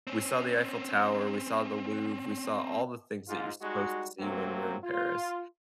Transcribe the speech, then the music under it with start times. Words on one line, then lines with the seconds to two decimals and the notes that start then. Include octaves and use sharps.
We saw the Eiffel Tower, we saw the Louvre, we saw all the things that you're supposed to see when you're in Paris,
0.07 C4 C#4
3.28 G#2 F4
3.61 G3 G#3 D#4 F#4
4.20 C3 F#3 A3 A#3 C4
4.84 F4